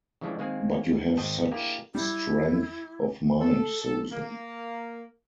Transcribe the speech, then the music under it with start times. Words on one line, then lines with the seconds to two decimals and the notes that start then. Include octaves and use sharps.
But you have such strength of mind, Susan.
0.21 C#3 E3 F3 G3 G#3 D4
0.39 D#3 G#3 A#3 C4 G#4
1.17 G#1 C5 D#5 G5 A5
1.51 A#3 D4 E4 G4 G#4 A#4
1.95 G3 E4
3.40 A4
3.82 A4
4.12 A#3